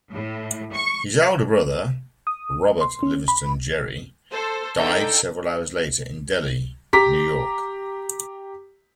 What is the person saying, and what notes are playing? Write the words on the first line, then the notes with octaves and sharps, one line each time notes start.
His elder brother, Robert Livingston Gerry, died several hours later in Delhi, New York.
A2
C#6
D#6
C6
C#4
B5
A4 C5
D3 D#4 A4 G5
G4 A#5 D6 B6